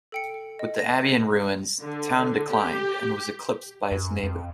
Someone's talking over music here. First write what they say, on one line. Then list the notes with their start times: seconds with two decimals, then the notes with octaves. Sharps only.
With the abbey in ruins, the town declined and was eclipsed by its neighbour.
0.12 A4 G5 C#7
0.59 D#5
0.79 A#6
1.80 D3
2.54 G4
3.92 F#2
4.23 F2